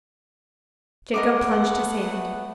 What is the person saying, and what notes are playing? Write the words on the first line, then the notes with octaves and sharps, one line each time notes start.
Jacob plunged his hand.
A3 B3 G#4 A#4 D#5 F#5 D6